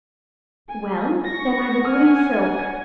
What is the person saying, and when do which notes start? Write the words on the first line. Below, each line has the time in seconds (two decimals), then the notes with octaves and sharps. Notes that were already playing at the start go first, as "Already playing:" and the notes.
'Well! then I've a green silk.
0.68 G#5
1.24 C#6 A#6
1.81 F#5 G#5 F6
2.32 F#5